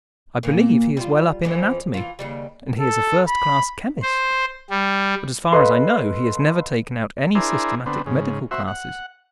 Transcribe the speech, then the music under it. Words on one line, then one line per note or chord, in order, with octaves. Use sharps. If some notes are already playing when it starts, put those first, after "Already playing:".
I believe he is well up in anatomy, and he is a first-class chemist; but, as far as I know, he has never taken out any systematic medical classes.
A#2 A#3
G3 F4
F2 E3 F3
E3 F4
D#2 C#3 G3
A4
B5
C5
G3
A4 B4 D#5 F5 C6
D4 E4 G#4 A#4 C5
D3 B3 C4
G#2 C#3
F#4 C5 E5
F#5